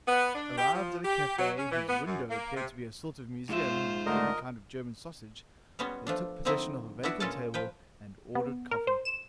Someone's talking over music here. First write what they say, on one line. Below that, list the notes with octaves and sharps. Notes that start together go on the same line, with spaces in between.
Arrived at a cafe whose window appeared to be a sort of museum of every kind of German sausage, they took possession of a vacant table and ordered coffee.
B3
D4
G4
F3
G4
F#3
C#4
E3
B3
F#2
A#3
C3
G#2 G#3 F4 C5 E5
D3 A3 A#4 D#5
G3 G#3 B3 C#4 F#4
F3 A3 D4
D3 F3 A#3 C4 D#4 E4
B3 D4 E4 F#4
A#2 G#3 C#4 F4 A4 A5
F3 B4 G5
B3
A#4
C5
E7